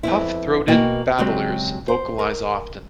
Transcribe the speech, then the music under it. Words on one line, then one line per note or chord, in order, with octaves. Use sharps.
Puff-throated babblers vocalize often.
F2 B3 E4
B2 A#3 F#4 D#5 G5 G#5
C#3 F#3 G#3 C4 F#4 G4
C5
A#4